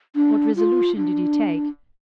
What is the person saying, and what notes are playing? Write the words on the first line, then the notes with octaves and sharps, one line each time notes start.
What resolution did he take?
D4
F4
D4